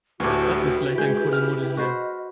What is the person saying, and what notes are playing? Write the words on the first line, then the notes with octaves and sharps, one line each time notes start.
Das ist vielleicht ein Kuddelmuddel hier.
D2 A2 C#4 D4 E4 F#4 G4 B4
G#3 G6
F6
F#4 B4 C5 D#5